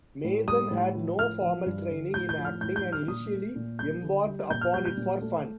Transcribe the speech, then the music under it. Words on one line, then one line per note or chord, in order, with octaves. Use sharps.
Mason had no formal training in acting and initially embarked upon it for fun.
A2
G3 D#6
A2
F3
A2 F6
F3
G2
D3
A2 G6
G6
F3
F6
A2 G6
G6
G3
F6
A#2 D#6
A3
A#2
G3 G6
D3
G3
A#2 G6
F6
G3 G6
G6
A#2
A3